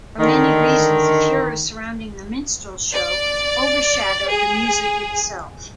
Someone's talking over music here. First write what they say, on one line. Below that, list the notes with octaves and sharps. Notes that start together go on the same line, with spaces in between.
For many reasons, the furor surrounding "The Minstrel Show" overshadowed the music itself.
D3 D#3
D5
G#4